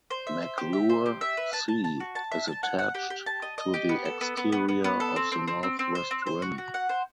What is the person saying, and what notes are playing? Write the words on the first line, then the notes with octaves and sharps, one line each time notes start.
McClure C is attached to the exterior of the northwest rim.
C5
E5
C5
G4
E5
C5
G4
E5
B4
A5
A5
A5
F#4
A5
E5
A5
F#5
F#5
G4
G4
A5
D#5
D#5
G4
B3
A4
B3
B3
B3
B3
B3
A4
C4
C4
C4
C4
C4
C5
C4
C5
F#4
F#4
F#5
C5